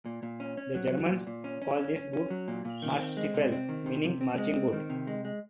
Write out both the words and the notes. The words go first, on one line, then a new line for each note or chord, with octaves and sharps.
The Germans call this boot "Marschstiefel", meaning "marching boot".
A#2
A#2
C#4
C#4
F#3
F#3
A#2
A#2
C#4
C#4
C#4
C#4
C#4
F#3
A#2
A#2
D#3
C4
G#3
C3
C4
D#3
C3
C3
C4
G#3
C4
D#3
C3
G#3
G#3